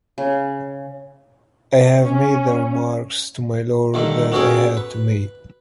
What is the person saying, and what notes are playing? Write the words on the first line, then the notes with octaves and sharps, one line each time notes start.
I have made the remarks to my lord that I had to make...
C#3
C#4
G2 D3 D#3 A3
B3 C#4 F#4 G#4 A4 G5
B4